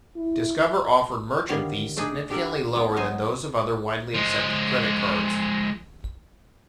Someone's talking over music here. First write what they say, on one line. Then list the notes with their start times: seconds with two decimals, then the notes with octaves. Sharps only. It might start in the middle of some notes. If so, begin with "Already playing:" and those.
Discover offered merchant fees significantly lower than those of other widely accepted credit cards.
0.16 E4
1.49 D3 D#3 G3 B3 C#5 F5
1.97 A3 D4 D#4 G#4 D5
2.30 D4 G4 A4 A#4 E5 F#5
2.76 B3
2.96 F#3 B3 D#4 C5 G#5
4.14 F3 G#3